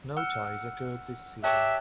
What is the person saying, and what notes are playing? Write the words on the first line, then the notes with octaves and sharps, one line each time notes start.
No ties occurred this season.
F#5 E6 F6
G4 C#5 E5 A5 C#6 D6 F#6